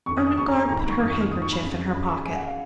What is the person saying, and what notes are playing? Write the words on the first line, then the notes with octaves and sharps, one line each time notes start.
Ermengarde put her handkerchief in her pocket.
F2 D#3 C#6
D#6
D#6
F2 C#3 C#6
A#5
A#5
G#2 D#3 A#5
B5
C#6
F2 D#3 D#6
C#6
F6
G#2 D#3 D#6
C#6
B5
F2 C#3
F#2 C#3 B5
C#6
B5
F#2 C#3 G#5
F#5
F5